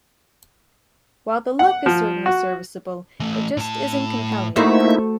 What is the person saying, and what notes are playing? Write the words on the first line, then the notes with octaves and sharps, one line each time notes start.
While the look is certainly servicable, it just isn't compelling.
F#5
F3
F#4
E3 A3
A2 A5
A3 A#3 D#4 E4 F#4 C5 E5